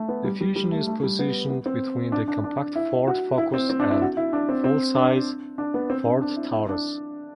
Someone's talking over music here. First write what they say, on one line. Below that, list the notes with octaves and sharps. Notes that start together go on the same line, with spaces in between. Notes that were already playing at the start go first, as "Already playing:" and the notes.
The Fusion is positioned between the compact Ford Focus and full-size Ford Taurus.
Already playing: A3
B3
G3
G3
G3
A3
A3
G3
B3
B3
C4
D4
D4
D4
E4
F#4
E4
C4
C4
D4
E4
F#4
E4
D4
C4
C4
D4
D4
B3
C4
D4
D4
E4
E4
D4